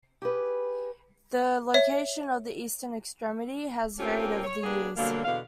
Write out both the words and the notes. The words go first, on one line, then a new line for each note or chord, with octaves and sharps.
The location of the eastern extremity has varied over the years.
G4 G#4 B4
C#5 E5
A3 A#3 C4 C#4 F4 G4
C#5
A#3 B3 D4 G4 G#4
B2 D3 F#3 G3 A#3
E2 B2 D3 F5